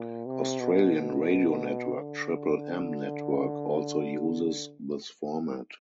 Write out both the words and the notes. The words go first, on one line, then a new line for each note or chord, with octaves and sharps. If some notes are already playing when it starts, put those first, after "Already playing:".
Australian radio network Triple M Network also uses this format.
Already playing: A#2
C3
B2
D3